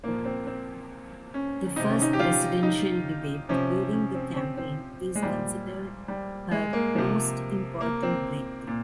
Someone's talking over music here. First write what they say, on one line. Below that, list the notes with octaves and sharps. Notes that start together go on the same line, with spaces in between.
The first presidential debate during the campaign is considered her most important breakthrough.
A#2 F3 A#3
C4
C4
C#4
C3 D#3 D#4
C#4
D#4
G4
F4
D#4
C3 F3 C#4
C#4
C4
C4
C4
G#3
A#2 F3 G3
G3
G#3
A#3
C3 F3
A#3
C4
A#2